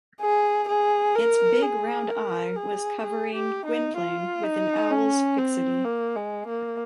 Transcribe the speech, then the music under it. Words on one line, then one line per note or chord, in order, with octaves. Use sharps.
Its big round eye was covering Gwynplaine with an owl’s fixity.
G#4
G#4
A#4
G#4
A#4
G#4
G#4
G4
D#4
F4
D#4
C#4
C4
A#3
G#3
A#3